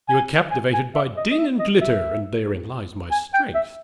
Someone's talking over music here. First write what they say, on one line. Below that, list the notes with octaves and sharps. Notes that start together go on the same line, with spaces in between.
You are captivated by din and glitter, and therein lies my strength.
G#5
G#5
G#5
E5
D#5
D#5
E5
D#5
E5
G#5
G5
E5